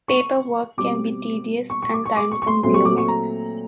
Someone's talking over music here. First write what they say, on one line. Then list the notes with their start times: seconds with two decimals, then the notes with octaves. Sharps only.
Paperwork can be tedious and time-consuming.
0.08 C#6
0.77 B2 G3 C4 D6
1.70 C#6
1.82 C#6
1.94 D6
2.05 C#6
2.17 D6
2.32 C#6
2.42 C#6
2.47 C6
2.63 A#2 F#3 A3 C4 C6
2.74 C#6
2.85 D6
2.98 C#6
3.08 A#5